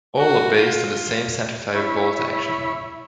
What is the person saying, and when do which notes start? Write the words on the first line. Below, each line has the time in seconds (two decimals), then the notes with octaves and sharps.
All are based on the same centerfire bolt action.
0.17 F#4
0.56 F4
1.75 E4 C#5 B5